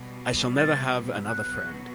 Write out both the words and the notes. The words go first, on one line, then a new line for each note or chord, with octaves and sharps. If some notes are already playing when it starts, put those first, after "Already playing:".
I shall never have another friend.
Already playing: B2 G3 B3
A6
B2 F#3 B3 F#4 F#6